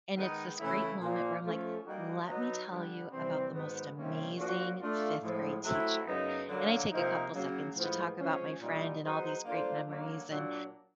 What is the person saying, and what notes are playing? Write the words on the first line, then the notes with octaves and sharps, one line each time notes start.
And it's this great moment where I'm like, "Let me tell you about the most amazing fifth-grade teacher," and I take a couple seconds to talk about my friend and all these great memories and
D#3 G#3 B3 D#4
C#3 E3 A3 C#4 E4
A#2 F3 A#3
F3 A3 C#4
G3 A#3 D#4 F#4
F#3 B3 D#4
D3 G3 B3
C3 E3 G3 C4
G#2 D#3 F#3 B3
C3 D#3 G3 A#3 C#4
F3 A#3 D4 F#4
A3 D4 F4
A2 F3 G#3
F#3 A3 C4 E4
F#2 C#3 F#3 B3 D#4
D3 F#3 A#3
C3 F3 A#3 D#4
C#3 F#3 A#3
A2 F3 G#3 B3
C#3 F3 G#3 C#4
A#2 G3 B3 D#4
F#3 B3 D#4 G#4 C5
A#3 D4 F4 A4 C5
D3 F#3 A#3
A#2 F#3 A#3 D4